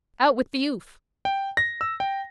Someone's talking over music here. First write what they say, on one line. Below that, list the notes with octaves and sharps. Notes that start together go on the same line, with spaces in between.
Out with the oof.
G5
A#6
E6
G5